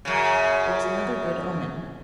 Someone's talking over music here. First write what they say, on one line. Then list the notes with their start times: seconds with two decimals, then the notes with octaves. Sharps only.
It was another good omen.
0.05 F#2 C#3